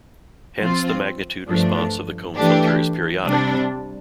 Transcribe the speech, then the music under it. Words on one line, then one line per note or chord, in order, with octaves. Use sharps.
Hence the magnitude response of the comb filter is periodic.
F3 C4 F4
G2 F3 A3 D4
E3 A3 D4 G4
C3 G3 D4